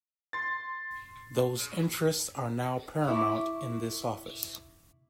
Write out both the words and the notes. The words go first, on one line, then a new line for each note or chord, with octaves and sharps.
Those interests are now paramount in this office.
C6 A6
E4 C#6 D6